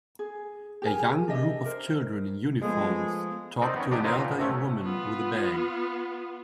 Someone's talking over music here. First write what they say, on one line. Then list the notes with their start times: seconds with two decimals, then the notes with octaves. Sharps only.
A young group of children in uniforms talk to an elderly woman with a bag.
0.19 G#4
0.82 G4 G#4 A#4 G#5
1.28 D4 G4 D#5 E5
1.66 A#4 C5
2.62 F3 G#3 A3 B3 G#4
3.62 C4 D#4 A#4 D5
3.76 B3 C#4
3.91 D4 D#4 G4 D#5
4.03 B3 C4 D#4 F4 A#4 B4
4.18 A#2
4.38 G#2 C3 A3 C#4
4.82 B3 F4